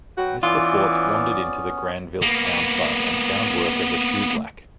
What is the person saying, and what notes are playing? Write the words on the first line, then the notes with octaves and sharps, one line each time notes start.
Mr. Fortes wandered into the Granville townsite and found work as a shoeblack.
F#3 F#4 B4 G5
E3 B3 C#4 F4 D5
A#3 B3